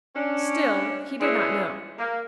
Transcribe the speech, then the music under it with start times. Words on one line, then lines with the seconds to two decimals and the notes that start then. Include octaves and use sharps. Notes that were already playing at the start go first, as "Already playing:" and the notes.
Still he did not know.
0.15 C#4 D4
1.21 E3 G#3 C#4 D4 E4 G#4
1.99 A#3